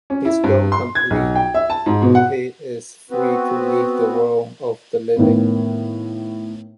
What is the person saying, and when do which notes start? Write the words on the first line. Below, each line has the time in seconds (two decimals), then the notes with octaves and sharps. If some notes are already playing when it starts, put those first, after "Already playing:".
His goal complete, he is free to leave the world of the living.
0.10 C#4
0.25 E4
0.44 G2
0.72 C6
0.95 G#6
1.10 B1
1.35 G5
1.54 E5
1.70 A5
1.86 G#2
2.02 B2
2.15 F#5
3.11 B3 C4 F#4 B4
5.16 A2 D#3 A#3 B3